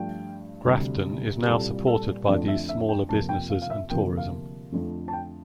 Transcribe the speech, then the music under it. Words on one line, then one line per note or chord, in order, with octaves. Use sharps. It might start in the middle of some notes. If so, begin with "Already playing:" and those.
Grafton is now supported by these smaller businesses and tourism.
Already playing: G2 F3 A3 G5
D2 C3 G3
G4
C2 A#2 G3 A#3 A4
A4
F2 D3 A3 D5
E5
E5
G5
F2 C3 F3 A#3 A5
G5
F5
F5
E5
D2 C3 F3 A#3 G5
F5
F2 D3 F3 A3
A5
G5